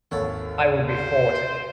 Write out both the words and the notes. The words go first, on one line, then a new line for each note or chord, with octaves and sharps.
I will be forty.
G#1 D#2 A4 C#5 F#5
C5